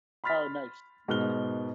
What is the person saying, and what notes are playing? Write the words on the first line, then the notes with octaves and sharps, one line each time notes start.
Oh nice, yeah.
B5 C6 F6 A6 B6
G#2 B2 A#4 F6 F#6 G7